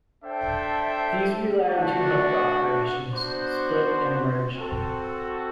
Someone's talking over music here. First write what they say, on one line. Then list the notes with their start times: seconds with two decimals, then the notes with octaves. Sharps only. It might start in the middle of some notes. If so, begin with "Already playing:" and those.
These rely on two helper operations, "split" and "merge".
0.22 D4 A4 C5 E5 G5
1.67 A3 D4 F#4
3.11 B3 D4 F#4 C5
4.56 C4 F#4 A4